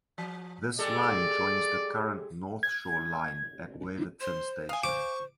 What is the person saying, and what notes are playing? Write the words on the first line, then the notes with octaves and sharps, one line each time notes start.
This line joins the current North Shore line at Waverton station.
F3
G#3 G4 A4 D5
G#6
C5 C6
F5 G#5 D#6
C5 C#6 D6